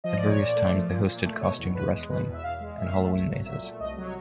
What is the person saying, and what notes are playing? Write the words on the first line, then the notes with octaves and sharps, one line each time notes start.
At various times they hosted costumed wrestling and Halloween mazes.
F3 D#5
D5
A#2
C#5
A#2 D5
A3
F3
A#2
A#2
A3
B2 C#5
E2
E2 B4
G#3
B2 B4
E2
E5
E2 F5
G#3
A#2 E5
F5
A3 E5
C2 E5
F#3
A#2 E5
A3
C2 D#5
F#3
C#5